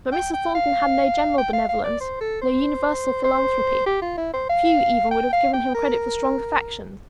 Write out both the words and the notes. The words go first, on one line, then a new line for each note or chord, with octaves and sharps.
But Mr. Thornton had no general benevolence,--no universal philanthropy; few even would have given him credit for strong affections.
G5
G5
F5
G5
F5
F5
D5
C5
A4
C5
C5
G4
F4
E4
C5
F5
G5
F5
G5
A#4